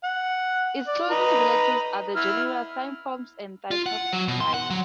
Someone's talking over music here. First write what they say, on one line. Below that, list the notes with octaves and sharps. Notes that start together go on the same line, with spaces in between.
Its closest relatives are the genera "Thymops" and "Thymopides".
F#5
D5
B4 D#5 A#5
E4 F6
F4
F#5
F#3
B2
C6
F#5
F#3